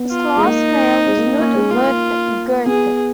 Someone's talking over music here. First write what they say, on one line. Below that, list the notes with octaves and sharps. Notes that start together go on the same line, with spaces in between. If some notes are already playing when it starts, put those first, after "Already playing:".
Its last mayor was Knud Gerther.
Already playing: B3
F4
G#3
A#3 D#4
G#3
A#3
A#3
A#3 C#4
G#3
A#3 F4
A#3
B3 G#4